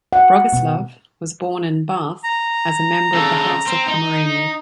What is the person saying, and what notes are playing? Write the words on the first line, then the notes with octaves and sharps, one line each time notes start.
Bogislaw was born in Barth as a member of the House of Pomerania.
F#5
B2 B3
A#5
C#3 A4
C4
D#4